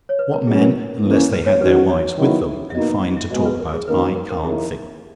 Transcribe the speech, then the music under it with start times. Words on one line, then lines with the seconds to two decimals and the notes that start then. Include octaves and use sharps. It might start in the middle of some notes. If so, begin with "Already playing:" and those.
What men, unless they had their wives with them, can find to talk about, I can't think.
0.09 C#5
0.19 B4
0.34 A#4
0.47 B2 F#3 C#4 G#4
0.61 A#4
1.05 E3 A#3 C#4
1.18 A#4
1.33 B4
1.46 C#5
1.60 D#3 F#3 C#4 F#4 B4
1.89 C#5
2.17 D#3 F#3 B3 E4
2.70 E5
2.74 B2 A#3 D#4 D#5
3.03 D#5
3.17 E5
3.31 B2 G#3 B3 D#5
3.45 B4
3.60 A#4
3.74 G#4
3.88 D#3 A#3 C#4 F#4 A#4 B4
4.16 A#4
4.30 A#4
4.44 D#2 D#3 A#3 E4 G#4 A#4